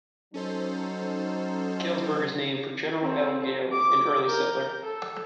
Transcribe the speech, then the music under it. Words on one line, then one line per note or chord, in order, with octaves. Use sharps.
Galesburg is named for General L. Gale, an early settler.
F#3 C#4 D#4 A4 C5
C4 A4
D6
A#4 G6
A4